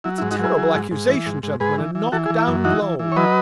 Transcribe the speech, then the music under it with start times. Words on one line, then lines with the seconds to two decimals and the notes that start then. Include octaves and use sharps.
It's a terrible accusation, gentlemen, a knock-down blow.
0.04 F#3 E4
0.18 E4
0.22 G#2
0.31 D#4 F#4
0.39 F#3 E4 G#4
0.57 F#3
0.75 G#2
0.91 G#2
1.09 E3
1.26 G#2
1.43 G#2
1.60 G#2 G#4 B4
1.78 E3
1.95 E3
2.12 E3 F#4 A4
2.26 E4 G#4
2.30 E3
2.38 E4
2.47 F#2
2.64 E3 D#4 F#4
2.82 E3
2.99 E3
3.12 C#5
3.16 F#3 B4 D#5